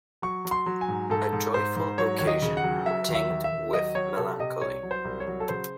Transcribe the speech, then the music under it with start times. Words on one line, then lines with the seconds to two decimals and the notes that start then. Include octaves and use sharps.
A joyful occasion tinged with melancholy.
0.22 F#3 C#6
0.45 F#3
0.51 C6
0.66 F#3
0.81 G#5
0.88 G#2
1.10 G#2 A4
1.33 G#2
1.54 G#2 C5
1.77 G#2
1.98 F#3 C#5
2.18 D#2 C#5
2.27 D#5
2.42 C#3
2.57 F#5
2.64 F#3
2.85 F#3 E5
3.08 D#2
3.15 E5
3.30 D#2
3.44 E5
3.52 D#2
3.73 F#3 D#5
3.95 F#3 C#5
4.17 C3 A4
4.40 C3 D#5
4.61 C2 C#5
4.83 F#3
4.91 C5
5.05 C2
5.20 C#5
5.27 F#3
5.40 A4
5.49 C#3 C5